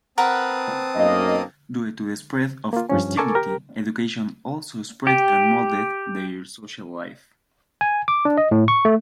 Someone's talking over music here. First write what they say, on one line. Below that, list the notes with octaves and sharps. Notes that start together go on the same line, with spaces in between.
Due to the spread of Christianity, education also spread and molded their social life.
C4 A#4 B4 F#5 A5 D#6
B1 F#2 A#3 D#5
A#3 F4
G2 F3 C#4
A4 A#4 G#5 A5 C#6 D6
G4 A#4
G4
G#5
D6
D4
D#5
A2
C#6
A3